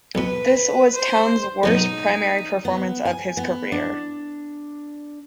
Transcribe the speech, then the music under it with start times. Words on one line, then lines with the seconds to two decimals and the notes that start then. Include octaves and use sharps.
This was Towns' worst primary performance of his career.
0.15 B1 B2 B4
0.95 C5
1.63 B2 F#3 G#3 D#4
2.65 B3
3.05 G#5
3.37 B3
3.72 D4